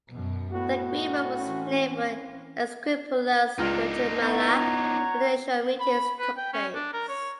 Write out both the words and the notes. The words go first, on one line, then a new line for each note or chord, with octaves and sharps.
The agreement was named for Esquipulas, Guatemala, where the initial meetings took place.
F#2 B2
A2 B3 F#4
E3 C4 C#4
C#2 D4 D#4 F6
B3 C#5 F#5 A#5
B5
B4
G5
C#4
D4
A#4
C#5